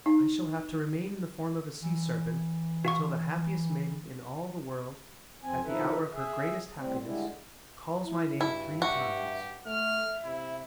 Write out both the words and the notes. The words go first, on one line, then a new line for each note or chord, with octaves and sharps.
I shall have to remain in the form of a sea serpent until the happiest maiden in all the world, at the hour of her greatest happiness, calls my name three times.
D#4
E3
F#4 F5 C#6
F2 C4 G#5
D#2 F3 D#4 E4 A4 B4
G#4 E5
A2 G3 C4
D3 G3 G#3 E4
E4
G2 E4 F#4
F#4 G4 E5
A3 E5 F6
C3 E4